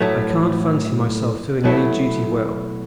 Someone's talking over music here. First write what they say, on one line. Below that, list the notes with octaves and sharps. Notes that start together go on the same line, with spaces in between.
I can't fancy myself doing any duty well.
A2 F#3 A3
B2 F#3 A3 E4